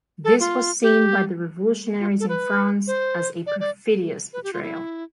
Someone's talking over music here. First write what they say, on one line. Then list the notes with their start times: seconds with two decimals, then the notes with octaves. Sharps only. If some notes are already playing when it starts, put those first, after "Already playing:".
This was seen by the revolutionaries in France as a "perfidious" betrayal.
0.24 A4
0.40 F4
0.83 G4
2.00 F4
2.20 A4
2.29 B4
2.87 C5
3.46 D5
3.60 D5
4.33 B4
4.44 G4
4.53 F4
4.63 E4